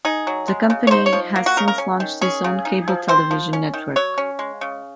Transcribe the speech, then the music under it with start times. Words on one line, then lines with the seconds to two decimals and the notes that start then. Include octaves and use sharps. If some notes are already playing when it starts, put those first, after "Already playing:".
The company has since launched its own cable-television network.
0.05 D#4 G#4
0.27 F#3
0.48 G#3
0.70 C#3
0.87 C#5
0.91 D#4 C5
1.06 C#5
1.13 F3
1.36 A#3
1.46 F#4
1.57 C#3 A#4
1.68 A#4
1.78 C#4
2.00 D#3
2.21 C#4 G#4
2.44 C#3
2.65 D#4
2.88 F3
3.08 C4 C5
3.31 F3
3.53 C#4
3.74 D#3
3.96 F#3 C#5
4.18 C#4
4.39 G#3
4.61 C#3